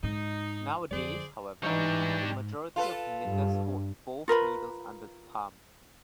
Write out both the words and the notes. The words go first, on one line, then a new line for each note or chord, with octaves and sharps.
Nowadays, however, the majority of knitters hold both needles under the palm.
G#2 D#4
F2 D3 G#4 C5 D5
G#2 E3 G3 D4 D#4 C#6
F4 A4 B4
G2
F4 A#4 B4 B5